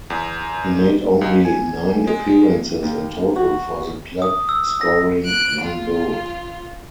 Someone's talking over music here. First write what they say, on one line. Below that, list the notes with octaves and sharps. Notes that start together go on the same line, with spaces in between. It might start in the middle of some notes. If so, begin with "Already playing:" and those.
He made only nine appearances in total for the club, scoring one goal.
E2
C#2
G#5
G#3
D#2
F#4
D#6
E6
A#6
F#6 D7
F4